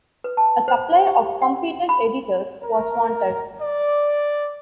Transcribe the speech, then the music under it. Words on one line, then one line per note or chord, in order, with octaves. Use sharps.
A supply of competent editors was wanted.
B4
A5
C5
G4
F#5
B5
A#4
D5